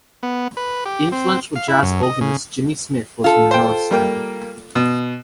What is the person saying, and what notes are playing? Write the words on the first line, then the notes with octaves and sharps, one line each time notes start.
Influential jazz organist Jimmy Smith was from Norristown.
B3
B4
G4
C4
F5
E4
F#2
D#5
C#3
F4 A4
C5 G5
G3 A#3 G5
B2